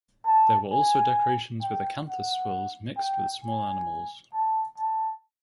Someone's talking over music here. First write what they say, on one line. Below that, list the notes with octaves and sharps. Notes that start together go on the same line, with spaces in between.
There were also decorations with acanthus swirls mixed with small animals.
A5
G#5
G5
F#5
G5
G#5
A5
A5